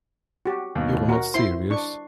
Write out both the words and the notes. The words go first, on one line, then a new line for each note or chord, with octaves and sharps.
You're not serious.
F#4 G4
D#2 B2
F#4 A#4
E4 C5 C6 C7
D4 C#6